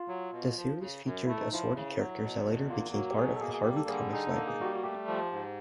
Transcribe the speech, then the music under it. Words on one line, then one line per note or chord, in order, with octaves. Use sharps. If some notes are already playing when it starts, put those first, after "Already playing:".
The series featured assorted characters that later became part of the Harvey Comics library.
Already playing: F4
F#3
B2
F3
C#3
F#2
A3 E4
D#4
F3 E4
C#3
F#3
B2
E2
A#3 F4
F#3 F#4
G4
B2 G#4
A4
A#3 G#4
G#4
G3 G4
A4
D3 G#4
D#4 G#4
A4
A#3
G#4
G3 F#4
G4
F#4
A3 G4
F3
G#2